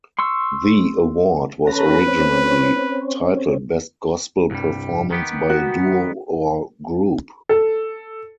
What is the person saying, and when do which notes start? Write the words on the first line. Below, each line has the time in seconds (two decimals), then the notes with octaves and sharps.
The award was originally titled Best Gospel Performance by a Duo or Group.
0.19 C6 C#6 E6
1.67 C#4 A4 B4 A#5
2.07 C4 C#4
4.51 C2 G2 G3
5.11 D#3 B3 G4
5.50 F#4
7.49 A4